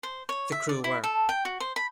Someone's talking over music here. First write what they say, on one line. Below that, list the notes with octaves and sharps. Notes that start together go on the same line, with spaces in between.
The crew were.
C5
C#5
E5
D5
E4
A4
G5
F#4
C5
B5